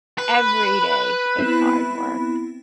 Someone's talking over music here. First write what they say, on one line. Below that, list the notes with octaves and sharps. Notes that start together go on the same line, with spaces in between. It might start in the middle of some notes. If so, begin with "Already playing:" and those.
every day, it's hard work.
B4 B5
B3 C4 E4